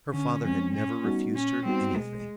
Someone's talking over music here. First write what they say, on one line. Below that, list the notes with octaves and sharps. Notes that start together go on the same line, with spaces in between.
Her father had never refused her anything.
D3 C#4
F3 G#3 C4 C#4
A#2 C#4
G3 B3 D#4 F#4
A#2 C#4
G3 B3 C4 D#4 F#4
B2 G#3